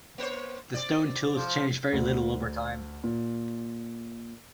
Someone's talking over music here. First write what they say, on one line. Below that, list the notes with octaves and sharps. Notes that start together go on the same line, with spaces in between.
The stone tools changed very little over time.
A#3 C5 C#5
C4 D5
F3
D2
A#2